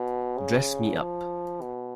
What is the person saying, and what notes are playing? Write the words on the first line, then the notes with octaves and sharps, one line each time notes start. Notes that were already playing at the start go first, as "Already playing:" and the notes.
Dress Me Up!
Already playing: B2
C#3
F3
B2